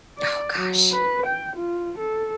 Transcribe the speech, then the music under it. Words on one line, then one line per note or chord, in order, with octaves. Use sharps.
Oh gosh.
D5
F#3
B4
G5
F4
A4